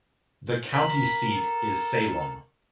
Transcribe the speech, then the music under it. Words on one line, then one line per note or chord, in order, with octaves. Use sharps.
The county seat is Salem.
A#4 B5
A4